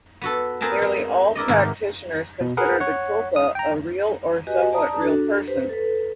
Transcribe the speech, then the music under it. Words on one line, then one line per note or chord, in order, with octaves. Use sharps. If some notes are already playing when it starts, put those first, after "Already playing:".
Nearly all practitioners consider the tulpa a real or somewhat-real person.
B3 F#4 A4
C4 G#4 A#4 B4 A5
G#3
E4 A#4 D5 D#5
G#2 C3 D#3 G#3 A#3 F#4
B2
G#4 A#4 B4 F#5
C#5 F#5
D#6
G5 A#5
F#4 G4 B4 D#5 G#5
D5 A5 A#5 D#6
D4 F#4 A4
G4 B4 C5
A4 B4